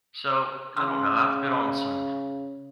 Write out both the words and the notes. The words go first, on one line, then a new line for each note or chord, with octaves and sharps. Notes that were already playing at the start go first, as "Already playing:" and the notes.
so, I don't know, I've been on some
C#3 C6